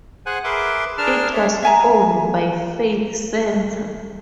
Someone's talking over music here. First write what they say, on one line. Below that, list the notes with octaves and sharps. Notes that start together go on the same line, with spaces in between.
It was owned by Faith Center.
G#4 C5 F#5 G#5 F#6
G#4 A#4 B4 E5 C6 D6
D4 G#4 A#4 A5 F6
G#4 A4 C#5 E5
E5 G#5 A#5